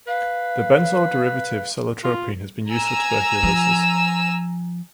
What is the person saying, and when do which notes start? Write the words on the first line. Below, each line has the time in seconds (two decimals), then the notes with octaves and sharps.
The benzoyl derivative cellotropin has been used for tuberculosis.
0.07 B4 F5
2.04 F4
2.69 G#5 A#5 E6
3.43 F3